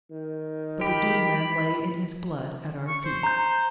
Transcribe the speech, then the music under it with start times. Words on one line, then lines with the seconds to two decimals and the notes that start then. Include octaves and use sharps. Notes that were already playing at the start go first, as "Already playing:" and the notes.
But the duty man lay in his blood at our feet.
0.10 D#3
0.81 G4 B5
2.88 C#6
3.05 C5
3.23 A#5 G6